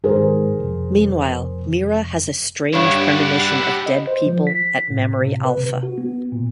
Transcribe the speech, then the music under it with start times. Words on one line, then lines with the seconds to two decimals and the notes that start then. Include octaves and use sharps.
Meanwhile, Mira has a strange premonition of dead people at Memory Alpha.
0.04 G#1 G#2 G#4 A#4 C5
0.60 F1
2.73 G2 D4 E4 G4 C#5 F#5
3.86 D#5
4.07 C5
4.26 F3
4.47 B6
4.90 A2
5.21 C3
5.45 B4
5.58 C3
5.83 F#4
5.98 B3
6.32 A#2